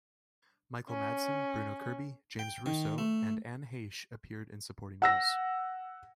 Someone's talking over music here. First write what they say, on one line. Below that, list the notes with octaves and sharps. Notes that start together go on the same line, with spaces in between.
Michael Madsen, Bruno Kirby, James Russo, and Anne Heche appeared in supporting roles.
C#4
G5
D#3
A3
F#5 E6 A#6